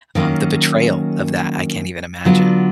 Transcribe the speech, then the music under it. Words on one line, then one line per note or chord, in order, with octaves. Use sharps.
um, the betrayal of that, I can't even imagine.
D#3 F#3 A#3 C#4
D3 F#3 B3 D4 F4